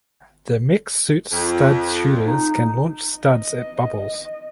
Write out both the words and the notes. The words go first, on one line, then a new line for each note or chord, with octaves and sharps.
The mech suit’s stud shooters can launch studs at Bubbles.
F2
D#4
D#5